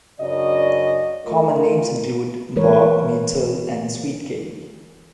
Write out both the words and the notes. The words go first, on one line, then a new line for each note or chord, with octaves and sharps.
Common names include bog-myrtle and sweetgale.
F#2 C#3 D4 F#4 D5 D#5
A3 F4 A#4
E3 G#3 A#3 A#4 B4 C#5